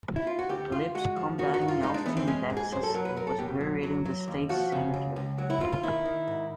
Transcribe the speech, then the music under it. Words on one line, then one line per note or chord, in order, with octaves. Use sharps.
Lipscomb died in Austin, Texas and was buried in the State Cemetery.
E4
F4
F#4
D2 G4
D2 F4
G#3 F#4
F3
D#3 F#4
F#4
G2
F4
G#3 D#4
D4
E3 B3
C4
G#3 C#4
G#2
G#4
F#2 C5
A4
F#3 A#4
B4
F#3 A#4
A4
B2 G4
F#3
F#3
F#3
D#2
F3 F#4
C#3
C#2
C#2
F#3
E4
D2 F4
F4
D#3 E4
D#3
G#2